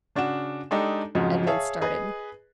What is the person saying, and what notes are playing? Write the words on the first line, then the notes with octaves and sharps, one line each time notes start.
Edmond started.
C#3 D4 F#4 F#5 E7
G#3 D4 D#4 G4 A4
F2 G#2 C#3 F3 F#3
G#4 C#5 E5 F5 A5
G#4 B4 D#5